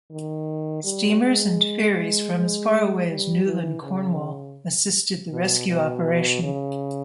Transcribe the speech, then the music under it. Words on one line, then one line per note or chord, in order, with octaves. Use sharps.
Steamers and ferries from as far away as Newlyn, Cornwall, assisted the rescue operation.
D#3
G3
G#3
G#3
G3
E3
C#3
B2
B2
C#3